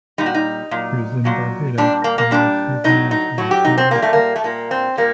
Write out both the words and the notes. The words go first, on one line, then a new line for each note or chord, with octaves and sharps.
He was in Barbados when he received news of his mother's death.
A#2 G3 D#4
F#4
D#4
A#2 F#3
A#2 F#3
A#2 G3 D4
A#3
A#3
A#2 G3 D4
A2 F#3 D#4
D#4
A2 F#3 F#4
G4
D#4
C4
A#2 G3 A#3
A3
A#3
A3
A#2 G3 A#3
C4
A#2 G3 A#3